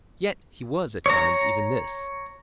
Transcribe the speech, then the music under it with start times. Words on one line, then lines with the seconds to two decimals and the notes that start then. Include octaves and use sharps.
Yet he was at times even this.
1.06 C#5 A#5